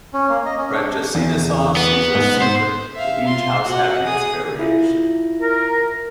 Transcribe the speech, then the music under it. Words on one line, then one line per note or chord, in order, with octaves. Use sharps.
Francesinha sauce is a secret, with each house having its variation.
C#4
A#3
D#5
C#4
D4
E2
B3
G#2
C5
E5 F5
F4 C6
F#4 F#5
G#4 D#6
E4 F4 E5
A#4